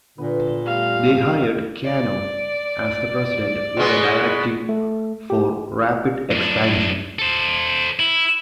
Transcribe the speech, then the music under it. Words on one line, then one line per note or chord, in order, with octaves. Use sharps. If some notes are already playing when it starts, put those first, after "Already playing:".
They hired Cano as the President with a directive for rapid expansion.
A#2 D3 B3
G3 A3 G4 F5
D5
B2 G#3 B3
A3
G4
F#2 D4
A4 C5
E4